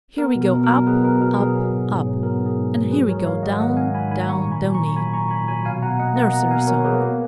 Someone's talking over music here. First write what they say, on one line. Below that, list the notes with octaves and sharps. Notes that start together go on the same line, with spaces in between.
'Here we go up, up, up; And here we go down, down, downee!' NURSERY SONG.
B3 A#4
B2
A#4
B2
A#4
F#3
B3 G#4 B4
B2 A#4
B2 A#4
F#3 G#4
B3
G#2
G#2
F#3
B3 A#4
G#2
G#4
G#2
F#3
G#3 G#4 B4
G#2 A#4 C#5
G#2 C#5 F5
D#3 D#5 F#5
G#3 D#5 F#5
G#2 F5 G#5
G#2 G#5 B5
D#3 G#5 B5
A#3 A#5 C#6
A#2
G#5 B5
A#2
A#5 C#6
F#3
A#3 G#5 B5
A#2 A#5 C#6
A#2 G#5 B5
F#3 G#5 B5
B2 F5 G#5
B2 F#5 A#5
A#3 D#5 F#5
A#3 D#5 F#5
B2 F#5 A#5
B2 F5 G#5
A#3 A#4 C#5
A#3 G#4 B4
B3